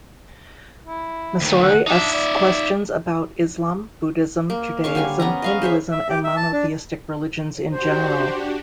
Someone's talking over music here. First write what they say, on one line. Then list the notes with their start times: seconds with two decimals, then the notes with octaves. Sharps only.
Messori asks questions about Islam, Buddhism, Judaism, Hinduism, and monotheistic religions in general.
0.87 E4
1.41 D2 D#3
1.62 F#5
1.88 D4 D#4 E5
2.13 D5
4.50 A#3
4.84 C#3 F5 C#6
4.95 D3 G3 G#5 C#6
5.20 B3 C#4 A#5
5.42 D#5 F5 C#6
5.62 G#4 C5 C#5 E5
5.91 E5
6.10 G4
6.24 E5
6.37 A5
6.52 D4
7.69 D4 F#4 G4 C5